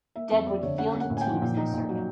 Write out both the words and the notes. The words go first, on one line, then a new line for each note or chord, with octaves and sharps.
Deadwood fielded teams in the circuit.
A#3 E5
F2 E5
F2 D5
D3 C#5
C#4 F#5
A#3
F#5
A2
G#5
G5
F3
A#2
D#4
A#2
F#3